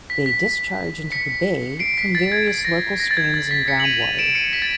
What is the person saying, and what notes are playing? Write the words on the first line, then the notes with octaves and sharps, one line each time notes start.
They discharge into the bay from various local streams and groundwater.
B6
B6
B6 C#7
C7 D7
B6
A6
G#6
A6
A#6
A#6
A6
G#6
A6
B6
B6 C#7
F#7
D#7 F7
D#7 F7
D7 E7
C#7 D#7
B6
A6